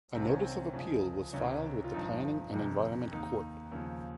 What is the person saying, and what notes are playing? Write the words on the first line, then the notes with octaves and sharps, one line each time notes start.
A notice of appeal was filed with the Planning and Environment Court.
C2 C3 D#3 C4
C#4
C4
C#2 C#3 F3
C#2 C3 D#3 C#4
F4
G#1 G2 F3 D#4
G1 F2 C3 D#3
D#2 D#3 D#4
D#2 C#3 F3